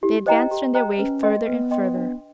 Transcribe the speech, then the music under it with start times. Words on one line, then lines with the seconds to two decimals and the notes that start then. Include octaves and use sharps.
They advanced on their way further and further.
0.03 E4 G4
0.26 E4 C5 D#5 G5 A#5
0.51 G4
0.75 C5 D#5 G5 A#5
0.98 C#4 B4
1.23 D#5 G5 C6
1.47 B3 B4
1.71 D#5 G5 C6
1.95 D4